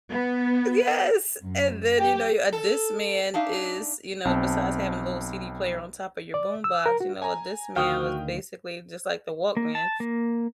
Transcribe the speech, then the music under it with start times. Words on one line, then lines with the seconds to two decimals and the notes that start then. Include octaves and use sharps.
Yes! And then, you know, a Discman is, you know, besides having a little CD player on top of your boombox, you know, a Discman was basically just like the Walkman,
0.10 B3
1.42 F#2
1.99 G4
2.52 A4
3.34 D4 D#4 E5 F5
4.25 B1 C4 A5
6.34 D5
6.64 E6
6.86 A#4
7.00 F#4
7.22 G#5 A#5
7.76 D2 D#3 F#4 F5 G5 D#6 F6
9.57 A#3
9.75 A5
10.00 A#3